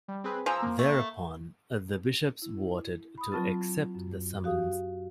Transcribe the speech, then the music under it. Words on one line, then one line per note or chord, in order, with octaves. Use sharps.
Thereupon, the Bishops voted to accept the summons.
G3
C4 G#4 B4
F3 G#5 A#5 E6
A#3
A3
E4
B5 D#6
F#3 C4 F4 A5 C#6 A6
F#2
F#4 G4 F5 D#6